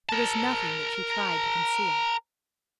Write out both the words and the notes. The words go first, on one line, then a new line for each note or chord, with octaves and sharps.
There was nothing that she tried to conceal.
A#4 A5